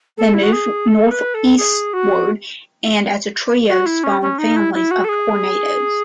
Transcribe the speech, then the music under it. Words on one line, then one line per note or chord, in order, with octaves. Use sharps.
They moved northeastward, and as a trio spawned families of tornadoes.
A4
E4
F#4
G#4
A4
B4
A4
G#4
F#4
F#4
E4
C#4
C#4
D#4
E4
E4
F#4
A4
G#4